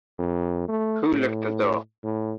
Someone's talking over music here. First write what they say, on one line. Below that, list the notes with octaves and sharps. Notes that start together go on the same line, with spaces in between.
Who locked the door?
F2
A3
A2
A2